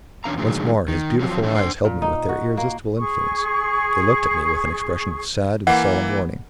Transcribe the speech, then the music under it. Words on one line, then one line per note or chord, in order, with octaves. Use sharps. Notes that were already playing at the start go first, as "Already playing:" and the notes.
Once more, his beautiful eyes held me with their irresistible influence; they looked at me with an expression of sad and solemn warning.
E2 C#4 D4 F5 A#5
A#2 D3 D#3 F#3 G#3 A3
D#3
F3 F#3 C4 F4
E3 G3 A3 B3 C#4 D#4
D4 C5
A#2
D#4
F#4
A#3
G#4 C#6
E3 A#3 F#5